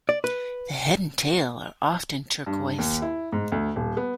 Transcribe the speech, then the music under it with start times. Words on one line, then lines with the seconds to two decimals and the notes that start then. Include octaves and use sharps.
The head and tail are often turquoise.
0.09 D5
0.24 B4
2.46 G2
2.78 D#2
3.02 E4
3.32 G#2
3.52 D2
3.76 D#1
3.97 B3